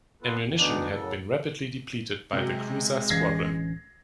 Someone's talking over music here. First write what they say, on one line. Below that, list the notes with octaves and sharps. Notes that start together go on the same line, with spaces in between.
Ammunition had been rapidly depleted by the cruiser squadron.
B3 F4 A4 B4
F2
D2 D3 E3 B3 D4 D#4
F#2 A2 C#3 A4
C3 F#3 G#3
D1 E3 C#4 G#6 A#6 C7